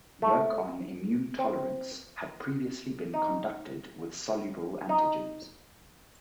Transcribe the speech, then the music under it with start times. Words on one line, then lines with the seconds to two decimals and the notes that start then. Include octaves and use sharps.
Work on immune tolerance had previously been conducted with soluble antigens.
0.22 A3
1.39 C4
3.14 D#4
4.89 D#4